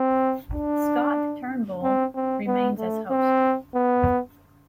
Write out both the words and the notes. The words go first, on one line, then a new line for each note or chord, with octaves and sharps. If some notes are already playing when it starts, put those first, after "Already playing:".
Scott Turnbull remains as host.
Already playing: C4
D4
C4
C4
B3
A3
C4
B3